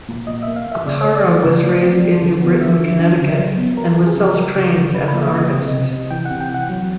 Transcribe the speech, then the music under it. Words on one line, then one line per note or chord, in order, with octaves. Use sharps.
Aparo was raised in New Britain, Connecticut, and was self-trained as an artist.
A#2
A#2 D#5
A#3 E5
F5
A#3 E5
C#3 D5
A3 C#5
D5
E3 C#5
D5
C#3
A3
C4
G3
D3
B3
D3 E5
D3
D3
C#3
F#3
B3
F#3 A#4
A4
C#3
G#4
C#3
F3 A#4
C#3
C#3
C#3 B4
A#3 B4
E5
C#3 D#5
C4 D#5
C3
C3
E3 G5
F#5
C3
G5
E3
F#5
F#3